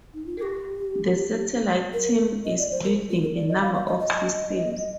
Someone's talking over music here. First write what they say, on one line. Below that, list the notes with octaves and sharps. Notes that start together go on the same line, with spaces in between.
The satellite team is building a number of systems.
D#4
F4
A#4
G4
A#4
D#5
D5
C5
A#4
F4
A#4
D5
D#5
F5
F5
D#5
D#5